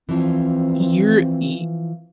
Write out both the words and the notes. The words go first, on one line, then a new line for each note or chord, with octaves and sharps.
you're y
E3 F3 C4